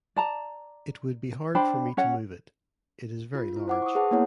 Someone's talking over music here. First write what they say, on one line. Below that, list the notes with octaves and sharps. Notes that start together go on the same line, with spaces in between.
It would be hard for me to move it. It is very large.
D5 A5 A#5
D4 C5 G5 B5
C#4 C#5 F#5
F4
E4
C5 F#5 D6
C#6 D#6
G#4 B4 F#5 A5
A#3 B3 E4 C#5 F#5